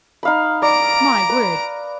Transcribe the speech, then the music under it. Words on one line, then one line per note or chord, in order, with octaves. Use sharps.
My word!
D#4 F5 B5
D5 A#5 D7
B4